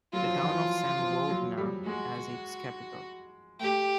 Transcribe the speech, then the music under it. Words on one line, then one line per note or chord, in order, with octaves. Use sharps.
The town of Zamboanga as its capital.
F#3 F4
F3
E3
F3
F3
F#3
G3
G#3 F#4
A3 G4